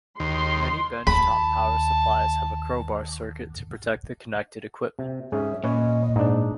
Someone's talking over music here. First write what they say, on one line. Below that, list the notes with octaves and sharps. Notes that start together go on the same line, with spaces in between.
Many bench top power supplies have a crowbar circuit to protect the connected equipment.
D#2 C6
D#2 A5 B5
C3
G#2 C#4 G#4 E5
A#2 C#4 B4 C#5 D#5
G#2 D4 D#4